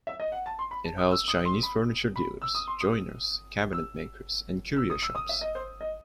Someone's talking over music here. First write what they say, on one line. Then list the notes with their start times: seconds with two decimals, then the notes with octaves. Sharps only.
It housed Chinese furniture dealers, joiners, cabinet makers and curio shops.
0.07 E5
0.20 D#5
0.32 F#5
0.46 A5
0.59 C6
0.71 B5
0.85 A5
0.98 D#6
1.11 E6
1.28 D#6
1.45 C6
1.63 B5
2.16 B5
2.42 E6
2.55 D#6
2.68 C6
2.81 D#6
3.73 E6
4.76 E6
4.90 D#6
5.02 E6
5.15 D#6
5.29 E5
5.41 D#5
5.55 C5
5.81 D#5